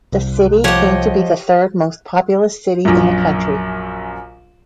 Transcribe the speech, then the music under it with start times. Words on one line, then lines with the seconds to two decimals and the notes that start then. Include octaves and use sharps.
The city came to be the third most populous city in the country.
0.13 C2
0.64 F3 G4 C#5 D#5 F#5
2.85 A#1 F#2